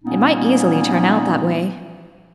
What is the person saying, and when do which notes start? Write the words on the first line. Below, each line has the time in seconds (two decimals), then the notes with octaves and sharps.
It might easily turn out that way.
0.03 A#2 G3 A#3 B3 C#4 D#4